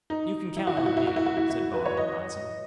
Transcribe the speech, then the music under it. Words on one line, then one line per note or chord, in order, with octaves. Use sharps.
"You can count on me," said Barnum, rising.
D#4
E4
F#4
E4
F#4
E4
F#4
E4
F#4
E4
E4
B4
C#5
D#5